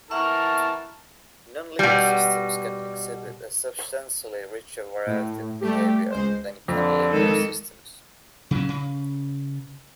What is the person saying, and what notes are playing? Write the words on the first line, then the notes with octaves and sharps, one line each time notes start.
Nonlinear systems can exhibit a substantially richer variety of behavior than can linear systems.
E3 A#4 E5 F#5 A5 C#6 F6
B2 G3
A2
G3 A3 G4
C#2 G#3 C5
F2 D3
D#3 G#3 A4
C#3 F#3 C#4
C#3